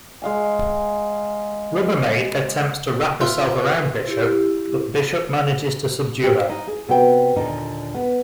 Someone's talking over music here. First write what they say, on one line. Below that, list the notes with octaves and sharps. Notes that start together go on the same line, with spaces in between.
Rubbermaid attempts to wrap herself around Bishop, but Bishop manages to subdue her.
G#3 F5 G#5
F4 E5
E4 G4
G4 C5
D#4
G#4
C3 B3 F#4 G5
D#2 A#2 D3 D#4
B3